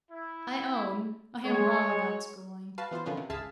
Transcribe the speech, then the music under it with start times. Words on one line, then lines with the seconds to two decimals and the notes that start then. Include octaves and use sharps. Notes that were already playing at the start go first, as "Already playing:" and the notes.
'I own, I am wrong about schooling.
0.11 E4
1.46 G#3 C#5
2.78 F#4 B4 F5 A5
2.91 E3 B3 F4 C5
3.06 D3 D#3 F3 B3 C#4 F4
3.17 C3
3.30 G#1 C#2 G#4 E5 F5 A5